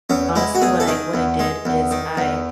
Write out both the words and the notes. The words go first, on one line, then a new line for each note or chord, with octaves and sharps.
honestly, what I what I did is I
E2 C#4
G#3 E4
F#4
E2 G#4
A4
D#3 G#4
E2
G#3
E2
D#3
E2